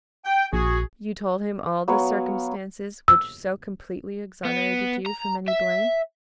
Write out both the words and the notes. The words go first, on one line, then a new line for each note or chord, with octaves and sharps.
"You told him all the circumstances--which so completely exonerated you from any blame?"
G5
A#1 F#4 G#4
F#3 B3 C#5 F5
E6
B3
A#5
E5